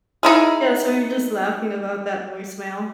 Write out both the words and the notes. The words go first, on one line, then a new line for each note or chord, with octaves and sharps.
Yeah, so we're just laughing about that voicemail.
D#4 E4 G#4